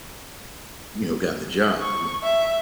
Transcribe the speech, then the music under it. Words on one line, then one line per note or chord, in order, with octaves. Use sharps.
you know, got the job, you know
C#6
E5